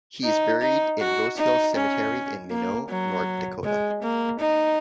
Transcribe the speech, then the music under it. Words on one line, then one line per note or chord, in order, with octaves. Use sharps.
He is buried in Rosehill Cemetery in Minot, North Dakota.
D#4
D#4
F#4
D#4
C#4
A#3
F#3
G#3
A#3
D#4